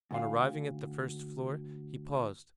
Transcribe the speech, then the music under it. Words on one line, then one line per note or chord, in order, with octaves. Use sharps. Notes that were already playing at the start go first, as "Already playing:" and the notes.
On arriving at the first floor, he paused.
D2 G#2 F5